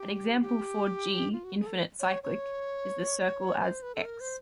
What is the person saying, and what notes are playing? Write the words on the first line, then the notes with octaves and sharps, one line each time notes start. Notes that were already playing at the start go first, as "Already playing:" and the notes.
An example for "G" infinite cyclic is the circle as "X".
Already playing: G4
G4
F4
F#4
G#4
A4
C#5
C#5
C5
B4
A4
A#4
C5